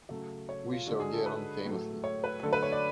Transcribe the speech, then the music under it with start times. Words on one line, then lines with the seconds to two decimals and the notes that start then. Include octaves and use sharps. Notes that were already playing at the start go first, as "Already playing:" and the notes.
We shall get on famously.
0.10 C#3 F#3 A3
0.49 C#5
0.72 F4
0.86 D3 G#3 F#4
1.00 G#4
1.13 A4
1.26 B4
1.65 A2 F#3 A3
2.04 C#5
2.24 B4
2.43 D3 F#3 A3 A4
2.53 B4
2.63 C#5
2.72 D5